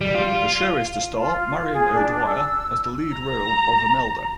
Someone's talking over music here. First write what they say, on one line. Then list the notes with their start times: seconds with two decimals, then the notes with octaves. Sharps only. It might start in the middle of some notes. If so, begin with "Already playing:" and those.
The show is to star Marion O'Dwyer as the lead role of Emelda.
0.01 G3
0.15 F4
1.18 F4
1.73 G#4
1.94 D4
2.25 E6
3.14 A#5